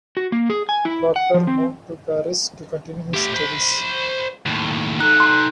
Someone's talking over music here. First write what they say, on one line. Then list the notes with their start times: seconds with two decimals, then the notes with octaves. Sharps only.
Proctor moved to Paris to continue his studies.
0.17 F#4
0.32 A#3
0.50 G#4
0.69 G#5
0.85 E4
1.16 F#5
1.34 F3
1.47 C4
3.14 A3 G4
3.34 C5 B5
4.46 D#2 A2
5.00 D#4 A4 F#6
5.20 C6 G6